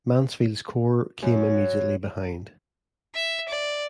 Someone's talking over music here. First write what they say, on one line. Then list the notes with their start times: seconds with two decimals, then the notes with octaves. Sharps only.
Mansfield's corps came immediately behind.
1.22 F#2
3.15 E5
3.48 D5